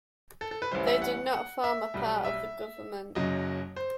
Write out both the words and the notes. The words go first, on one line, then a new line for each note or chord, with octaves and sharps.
They did not form a part of the government.
A4
A4
B4
A1 A2 E3 G3 C5
E5
F#5
F#5
E5
B1 B2 G3
E5
F#1 F#2 F#3 D#5
C5